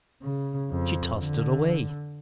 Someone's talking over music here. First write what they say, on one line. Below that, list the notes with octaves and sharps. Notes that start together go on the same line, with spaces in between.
She tossed it away.
C#3
F2
D3